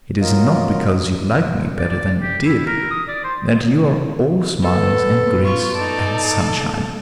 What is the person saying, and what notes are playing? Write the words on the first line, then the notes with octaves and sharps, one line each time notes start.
It is not because you like me better than you did, that you are all smiles, and grace, and sunshine.
F#3 A#3 F4 A#4 D#5 F5
D5
D5
G4
E4
A#4
D#6
D5
C5
B3 A4 B4
F4 C#6
D#4 A4 D5